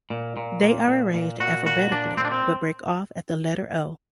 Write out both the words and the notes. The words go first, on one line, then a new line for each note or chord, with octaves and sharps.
They are arranged alphabetically, but break off at the letter O.
A#2
A#2
A#2
A#2
A#2
A#2 F#4
A#2 F#4
A#2 D4
A#2 C4
D4
C4